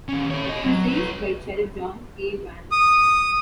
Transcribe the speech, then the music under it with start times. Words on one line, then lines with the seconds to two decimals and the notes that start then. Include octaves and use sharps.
She was seized by Sheriff John A. Vann.
0.09 D#3 C#4
0.30 A4 C#5
0.47 G4 D#5
0.66 F#3
0.89 B4 C#5
2.72 D#6